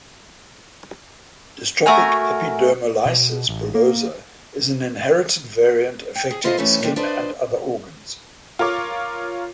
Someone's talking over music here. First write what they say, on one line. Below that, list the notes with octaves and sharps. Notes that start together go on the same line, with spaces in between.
Dystrophic epidermolysis bullosa is an inherited variant affecting the skin and other organs.
A3 F#4 A#4 G#5
B2
A1
A#3
G5
G#4
E4 F4 A4 C5 D#5 F5
C3 E3 A3 C#4 A4 B4
C3 G3 A#3 D4 D#4 B4
D4 B4 C5 D5 D#5
F4 A#4 C#5 D6